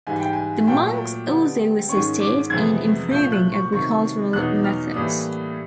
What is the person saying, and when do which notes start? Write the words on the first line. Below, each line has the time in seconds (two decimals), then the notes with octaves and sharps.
The monks also assisted in improving agricultural methods.
0.07 G#2 E3 G3 G#5
0.20 G5
0.33 G#5
0.67 A#2 F#3 A3 G5
1.28 D3 G3 B3
1.89 G#2 D#3 G#3 C#4 C#6
2.20 D6
2.50 F2 C3 E3 G#3 B3 G#6
3.11 C2 A#2 F3 A3 G6
3.32 F#6
3.52 C#6
3.72 C3 D#3 F#3 C#6
4.33 E2 B2 F#3 B3 D#4 F#6
4.64 F6
4.94 A2 E3 G3 A#3 D4 D#6